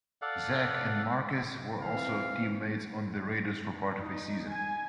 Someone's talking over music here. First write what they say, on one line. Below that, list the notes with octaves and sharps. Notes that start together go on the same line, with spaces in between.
Zach and Marques were also teammates on the Raiders for part of a season.
A4 D5 F5 F#5
E3 C4 F5
D#4
G#5